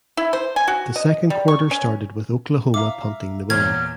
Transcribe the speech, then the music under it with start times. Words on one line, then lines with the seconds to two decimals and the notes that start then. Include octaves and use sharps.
The second quarter started with Oklahoma punting the ball.
0.17 E4
0.33 C5
0.56 G#5
0.68 F#4
0.96 D#5
1.30 G3
1.48 C#6
1.71 C#4
2.74 E5 F5 A#5 D6
3.50 E2 A#2 C#5 F6 G#6